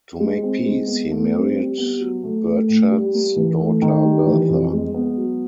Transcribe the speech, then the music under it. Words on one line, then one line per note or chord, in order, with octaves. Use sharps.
To make peace, he married Burchard's daughter Bertha.
G#3
C4
G#3
B3
A3
C4
G3
B3
F#3
A3
A3
A2
G3
A#3
E3
A3
D#3
G3
E3
F2
G#3
B3
F#3